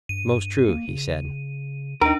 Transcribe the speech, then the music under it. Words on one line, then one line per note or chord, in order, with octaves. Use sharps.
Most true, he said.
G2 D#7
A#3
C#3
D#2 D4 D#4 A#4